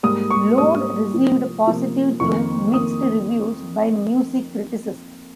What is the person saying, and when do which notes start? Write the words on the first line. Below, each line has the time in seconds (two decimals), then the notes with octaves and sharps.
"Load" received positive to mixed reviews by music critics.
0.03 G#2 G3 A#3 D#6
0.31 C#6
0.57 G#2 G3 A#3 D#6
1.12 C3 F3 A#3
1.66 C3 F3 A#3
2.20 F2 D#3 A#3 C#6
2.74 F2 D#3 A#3 D#6